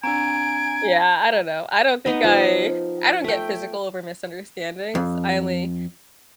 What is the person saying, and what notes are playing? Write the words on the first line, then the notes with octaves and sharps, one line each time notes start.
Yeah, I don't know. I don't think I I don't get physical over misunderstandings. I only
C4 D4 G#5 A#5 D7
B3 D#4
F3
A3 G5
F2